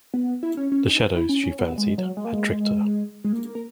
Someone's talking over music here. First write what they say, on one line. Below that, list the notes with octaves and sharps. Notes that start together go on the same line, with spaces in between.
The shadows, she fancied, had tricked her.
B3
E4
C#4
C#4
D#4
E4
C#4
C#4
B3
G#3
F#3
G#3
A#3
G#3
G#3
A#3
A#4